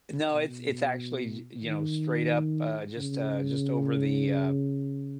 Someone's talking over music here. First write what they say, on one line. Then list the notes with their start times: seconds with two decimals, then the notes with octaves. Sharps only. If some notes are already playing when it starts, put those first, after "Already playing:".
No, it's it's actually, y you know, straight up, uh, just, uh, just over the, uh,
0.31 B2
1.64 D#3
2.97 C#3